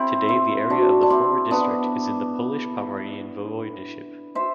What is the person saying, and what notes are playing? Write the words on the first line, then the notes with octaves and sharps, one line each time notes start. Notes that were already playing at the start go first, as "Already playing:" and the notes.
Today the area of the former district is in the Polish Pomeranian Voivodeship.
Already playing: C4 E4
C4 E4
D4 F#4
D4
C4 E4
B3 D4
C5 E5